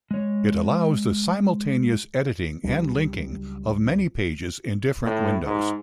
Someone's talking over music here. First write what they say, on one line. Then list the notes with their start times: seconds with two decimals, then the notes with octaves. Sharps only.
It allows the simultaneous editing and linking of many pages in different windows.
0.11 G#3 C#5
2.63 C#2 F#3 G3 D4
5.05 A2
5.45 G#2